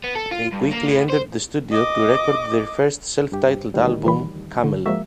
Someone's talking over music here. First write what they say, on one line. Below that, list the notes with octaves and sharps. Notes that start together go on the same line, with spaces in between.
They quickly entered the studio to record their first self-titled album, "Camel".
B3
A4
F4
G2
A#3
A2
C5
D#5 D6
G2 G4
D2 D#3 G3
C#3 E3 B5
D3
F3 G#3 A#3 F#4 E5